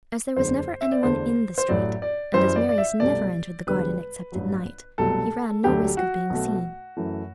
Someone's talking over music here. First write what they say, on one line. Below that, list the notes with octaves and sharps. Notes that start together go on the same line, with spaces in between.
As there was never any one in the street, and as Marius never entered the garden except at night, he ran no risk of being seen.
F#1 E2 D3 C5
E5
D5
E2 D3 A3 C5
C5
A1 A2 F#3 D5
D5
F#2 E3 G3 C5
D5
D5
E5
C2 B2 A3 D5
E1 E2 D3 G3 B4
A1 G2 F#3
C2 B2 F#3 A3 A4
E1 D2 D3 F#3 A3 G4
F#4
B1 B2 A3
F#2 E3 A3